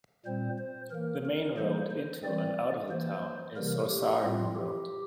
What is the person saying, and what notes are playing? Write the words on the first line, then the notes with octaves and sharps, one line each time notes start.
The main road into and out of the town is Rossarden Road.
A#2 G3 C4 C5
C5
E3 A#3 A#4
A#4
E3 G3 A#3 C5
C5
E3 G3 C4 D5
E3 A#3 C5
C3 E3 G3 A#3 A#4
G4
A2 G3 C4 F4
G4